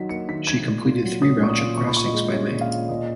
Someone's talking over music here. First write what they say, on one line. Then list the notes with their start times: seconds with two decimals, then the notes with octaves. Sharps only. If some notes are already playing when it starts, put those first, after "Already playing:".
She completed three round-trip crossings by May.
Already playing: D#3 F#3 D#4 B6
0.09 A#3 C#7
0.28 D#3 B6
0.47 D#4 G#6
0.65 A#2
0.85 F4
1.03 F#3
1.22 C#4 D#6
1.40 A#2 C#6
1.50 D#6
1.58 F4
1.78 A#2 C#6
1.87 B5
1.96 F4 C#6
2.06 D#5
2.14 G#3
2.34 C#4 C#5
2.52 A#2
2.61 F5
2.71 F4
2.89 A#2 D#5